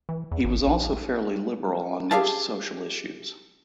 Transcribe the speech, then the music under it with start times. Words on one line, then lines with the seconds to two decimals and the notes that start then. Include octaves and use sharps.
He was also fairly liberal on most social issues.
0.09 E3
0.32 E2
0.45 G#1
0.67 A#1
2.11 G4 G#4 E5 F5 A5